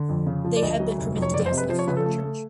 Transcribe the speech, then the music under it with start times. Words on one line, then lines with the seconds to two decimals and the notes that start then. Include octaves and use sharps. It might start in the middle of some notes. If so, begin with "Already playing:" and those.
They had been permitted to dance in their former Church.
Already playing: D3
0.09 F2
0.27 C#3
0.44 F3
0.57 D5
0.62 D2 D#5
0.80 F#3
0.98 F1
1.16 F2
1.22 C#5
1.34 F#1 D5
1.46 C5
1.52 C3
1.58 B4
1.69 F3 C5
1.79 C#5
1.87 C#3 B4
1.97 A4
2.06 A3
2.23 A3